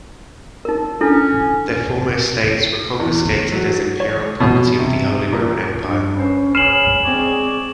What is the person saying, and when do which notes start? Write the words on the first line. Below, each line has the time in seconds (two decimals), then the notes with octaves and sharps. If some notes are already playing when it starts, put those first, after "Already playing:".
Their former estates were confiscated as imperial property of the Holy Roman Empire.
0.65 D#4 A#4
1.01 C#4 D4 E4 A4
3.00 E2
3.52 F#3
4.00 C#5
4.40 B2
4.79 C3
5.33 A#2
5.82 G2
6.15 C#4 B4 C5
6.55 G#4 B4 C#5 F6 C7 D#7 E7 F#7
7.04 G#3 C4 G#4 C#5 D5 G#5